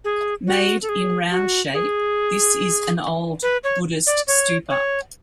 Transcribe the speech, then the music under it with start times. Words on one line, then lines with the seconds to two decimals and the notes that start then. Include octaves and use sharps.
Made in round shape, this is an old Buddhist Stupa.
0.04 G#4
0.47 F#4
0.82 A4
0.89 G#4
1.31 F#4
1.74 G#4
3.43 B4
3.64 C#5
4.07 D5
4.28 C#5
4.70 C#5